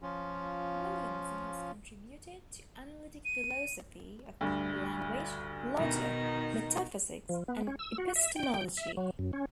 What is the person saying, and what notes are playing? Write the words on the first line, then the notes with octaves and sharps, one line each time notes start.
Williamson has contributed to analytic philosophy of language, logic, metaphysics and epistemology.
F3 C#4 F4
D#7
D2 G2
B2 D#3 D#4
F3
B3
C#4
E6
F#4
E5
G5
E5
F#3
F#2
C#4